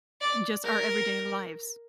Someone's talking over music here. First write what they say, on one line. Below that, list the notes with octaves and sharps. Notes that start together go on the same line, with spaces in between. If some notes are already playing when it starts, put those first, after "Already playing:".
just our everyday lives.
D5
A#4